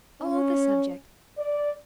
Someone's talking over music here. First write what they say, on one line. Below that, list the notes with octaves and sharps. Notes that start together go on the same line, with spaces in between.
Oh, the subject!
C#4
D5